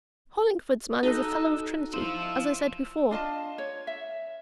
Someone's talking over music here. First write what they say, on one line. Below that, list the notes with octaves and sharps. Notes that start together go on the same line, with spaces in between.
"Hollingford's man is a Fellow of Trinity, as I said before."
D#4 F#4 A4 E6 F#6
E4 F4 C5 E6
D4 F4 D#5 A5
C#5
E5